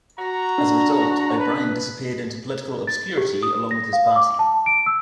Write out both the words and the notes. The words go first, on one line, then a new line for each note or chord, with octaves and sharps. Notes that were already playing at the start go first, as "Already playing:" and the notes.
As a result, O'Brien disappeared into political obscurity along with his party.
F#4 A#5
D4
B4
A6
G4
D#6
A#6
F5
D6
A5
D7
E6